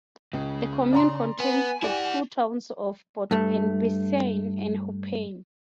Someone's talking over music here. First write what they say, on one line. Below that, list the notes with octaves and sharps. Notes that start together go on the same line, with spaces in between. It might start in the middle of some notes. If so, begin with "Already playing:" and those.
The commune contains the two towns of Port-en-Bessin and Huppain.
C#2 C#3
D5 A#5 C6
B3 G#5
E4 G4 D5 F#5
G2 A3